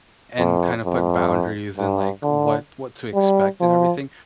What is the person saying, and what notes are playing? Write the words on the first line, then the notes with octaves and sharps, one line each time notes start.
and kind of put boundaries and, like, what what to expect and everything,
F2
F2
G2
D3
G3
F3